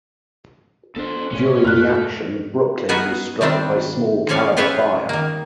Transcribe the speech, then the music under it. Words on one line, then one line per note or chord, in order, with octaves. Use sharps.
During the action, "Brooklyn" was struck by small caliber fire.
B3 D4 A4 C5
A2 C#3 A3 C#4
F2 G#2 B2 A3 F6 F#6
B3 D#4 F#4 G#4 A#4 B4
D#3 G3 C4 D4
F3 C#4 C#5 D5 F5
F4 G4 G#4 B4 C#5 E5
D#3 A#3